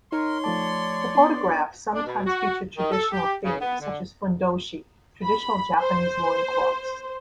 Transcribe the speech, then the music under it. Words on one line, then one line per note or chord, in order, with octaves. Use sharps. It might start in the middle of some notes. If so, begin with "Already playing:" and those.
The photographs sometimes feature traditional themes, such as "fundoshi", traditional Japanese loincloths.
D#4 A#4 C#5 C6
F3 A3 D5 A5
B3 D4
D4
B2
F#4
D#3
A4
G4
C#3
B3
D3
B5
C5